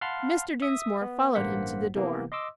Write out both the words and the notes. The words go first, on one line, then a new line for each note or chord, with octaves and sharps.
Mr. Dinsmore followed him to the door.
F5 F#5 A5 B5 C6 F6
E5 D#6
B3
A1 G2 A#3 C5 F#5 B6
C3 E3 A#3 B3
D#5 C6 D6 E6